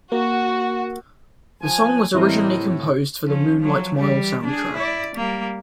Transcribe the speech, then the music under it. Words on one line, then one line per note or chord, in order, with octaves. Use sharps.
The song was originally composed for the "Moonlight Mile" soundtrack.
A#3 F#4
F3 G#5
A2 E3 G3 C4 E4 A#4 C5 D#5
F3 C#4
F3 F#3
E3 G3
D4 G#4
E4 D5
G3 A#3